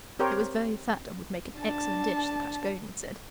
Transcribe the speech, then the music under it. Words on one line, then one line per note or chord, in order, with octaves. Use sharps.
It was very fat and would make an excellent dish, the Patagonian said.
C4 G4 A#4 C5 C#5 G5
D4 A5